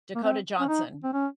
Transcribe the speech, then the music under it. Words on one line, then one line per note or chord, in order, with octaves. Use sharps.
Dakota Johnson.
A#3
C4
C#4
D#4
C4
C#4